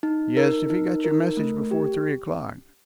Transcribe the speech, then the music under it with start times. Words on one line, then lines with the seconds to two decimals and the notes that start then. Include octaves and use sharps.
"Yes, if he got your message before three o'clock."
0.03 D#4
0.37 A#4
0.70 D#4
1.05 A#4
1.37 A3
1.71 G4